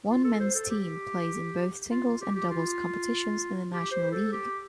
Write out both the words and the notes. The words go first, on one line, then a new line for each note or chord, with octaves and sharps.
One men's team plays in both singles and doubles competitions in the National League.
F4
A4
C5
A4
G4
F4
F4
G4
G4
F4
G4
C5
A4
G4